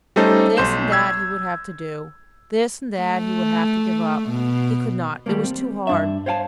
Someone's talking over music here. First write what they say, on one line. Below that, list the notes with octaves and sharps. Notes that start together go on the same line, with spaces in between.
This and that he would have to do; this and that he would have to give up--he could not: it was too hard.
G3 A3 C#4 D#4 A4 C5
B1 C6 G6 E7
E6 G#6
A3
B2
D#3 G3 A3 A#3
C4
G2 D4 E5
C5 C#5 F5 F#5 A5